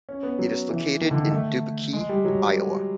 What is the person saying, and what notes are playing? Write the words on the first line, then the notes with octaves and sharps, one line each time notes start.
It is located in Dubuque, Iowa.
C#4
B3
F#3
E3
D#3
D3
D#3
A3
G#3
G3
F#3